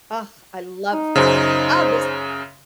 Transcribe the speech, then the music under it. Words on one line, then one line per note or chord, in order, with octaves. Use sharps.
Ugh, I love that. Oh, this
D#4
F#2 C#3 C5